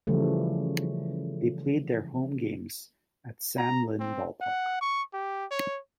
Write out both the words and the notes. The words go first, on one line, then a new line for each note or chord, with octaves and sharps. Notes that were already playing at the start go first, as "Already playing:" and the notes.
They played their home games at Sam Lynn Ballpark.
C#3 E3 F3 G3 A3
A#5
C4
F#5
C#6
G4
C#5